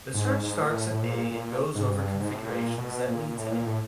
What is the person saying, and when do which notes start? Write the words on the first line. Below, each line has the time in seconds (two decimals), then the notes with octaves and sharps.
The search starts at A and goes over configurations that lead to A.
0.14 G#2
0.44 G#2
0.61 A#2
0.73 A2
0.91 A2
1.02 A#2
1.31 A#2
1.75 G#2
1.90 G2
2.20 G#2
2.35 A2
2.48 A#2
2.78 B2
3.08 A#2
3.29 A#2
3.37 A2
3.51 A#2
3.66 A2